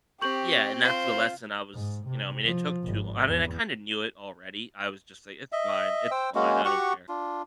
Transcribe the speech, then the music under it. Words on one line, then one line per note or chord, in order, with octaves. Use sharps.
Yeah, and that's the lesson I was you know, I mean, it took too long I mean, I kinda knew it already, I was just like, "It's fine, it's fine, I don't care,"
C4 G4 C#6 G6 F#7
F4 C5
G#2
C3
F3
G#1
E2
D#5 E5
C5 G5 E6
G#3 A#3 C#4 F#4
F#4 G4 F#5 C#6
D4 F4